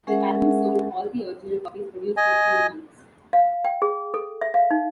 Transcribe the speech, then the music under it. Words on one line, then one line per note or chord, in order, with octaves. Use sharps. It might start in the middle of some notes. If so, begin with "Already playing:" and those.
The album sold all the original copies produced in a few months.
G#3 C#4 G#4 A#4 E5 F#5
D#5 G#5
F5
G5
G#4
A4
E5
F5
D#4